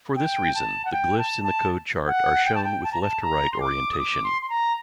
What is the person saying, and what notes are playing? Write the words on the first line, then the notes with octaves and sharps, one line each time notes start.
For this reason, the glyphs in the code chart are shown with left-to-right orientation.
G5
A5
F#5
G5
A5
A5
F#5
G5
A5
G5
A5
A#5
A5
A#5
C6
D6
D#6
D6
C6
C6
A#5